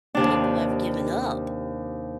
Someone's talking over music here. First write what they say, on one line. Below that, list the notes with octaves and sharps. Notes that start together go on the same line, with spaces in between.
people have given up,
D#2 C3 D4